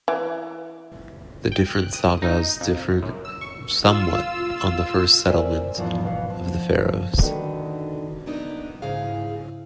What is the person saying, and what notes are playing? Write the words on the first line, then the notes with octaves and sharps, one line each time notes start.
The different sagas differ somewhat on the first settlement of the Faroes.
E3
G5
F#6
D#6
D#4
F2
F#2
E6
C#6
F4 E6
A#4 C5 D5 E5 G5 G#5
E2 G#2 E3 F3
B2 E3 B3 F5
F3
D3 D#3 D#4 F#4 B4
F#3 A#3 B3 D4 D#4 D#5
G#2 C#3 E4 G#4 F5